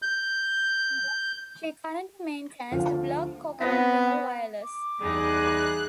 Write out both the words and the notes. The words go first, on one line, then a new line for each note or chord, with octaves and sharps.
She currently maintains the blog Coconut Girl Wireless.
G6
D2 F3 F5
B3 C4 A#6 B6
D6
E2 G3 D#4 G#4 F#6